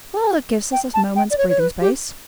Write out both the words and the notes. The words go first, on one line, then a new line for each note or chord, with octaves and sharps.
Well, it gives us a moment's breathing space....
G5
A5
G5
D5
C#5
C#5
B4
G4